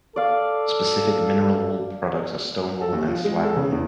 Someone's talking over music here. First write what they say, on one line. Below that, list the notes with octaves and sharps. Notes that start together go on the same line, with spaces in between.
Specific mineral wool products are "stone wool" and "slag wool".
A4 D5 F5
A4
D#2
F3
G#3
A4
C#3
E2